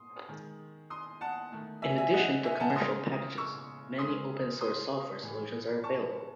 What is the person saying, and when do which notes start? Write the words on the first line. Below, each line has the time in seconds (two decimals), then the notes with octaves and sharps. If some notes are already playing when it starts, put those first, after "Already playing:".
In addition to commercial packages, many open-source software solutions are available.
Already playing: C6 D#6
0.29 D#3 G#3
0.90 C6 D#6
1.21 F#5 A5
1.52 D#3 A3
1.82 E5 G#5
1.98 E5 G#5
2.14 D#5 F#5
2.44 E5 G#5
2.55 G#5
2.60 F#5 A5
2.75 C#3 G#3 C6 D#6
3.38 C#6 E6
3.98 C#3 G#3 C6 D#6
4.61 C6 D#6
5.22 A2 E3 G#3
5.84 A5 C#6